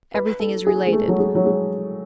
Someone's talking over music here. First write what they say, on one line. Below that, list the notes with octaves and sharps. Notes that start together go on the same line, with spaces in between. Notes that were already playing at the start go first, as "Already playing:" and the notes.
Everything is related.
B4
A4
G#4
G#3
A3
F#3
G#3
F#3
G#3